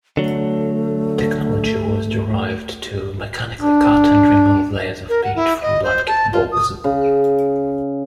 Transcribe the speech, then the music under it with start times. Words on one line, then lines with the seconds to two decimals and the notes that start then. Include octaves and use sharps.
Technology was derived to mechanically cut and remove layers of peat from blanket bogs.
0.17 D3 F#3 A3
3.61 D4
5.09 A#4
5.24 F#5
5.36 E4
5.62 D#5
5.83 C5
6.07 A5
6.32 F4
6.52 D#6
6.84 C#3